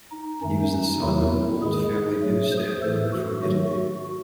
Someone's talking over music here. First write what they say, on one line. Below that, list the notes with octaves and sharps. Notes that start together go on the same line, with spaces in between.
He was the son of an old family newsstand owner from Italy.
D#4
F#2 D#3 A3 C#4
D#4
E2 D#3 F#3 A3 E4
G#2 D#3 G#3 G#4
G#2 F#3 A3
C5
A2 E3 A3 A4
F#4
G#2 D#3 F#3 A3 F#4
F#4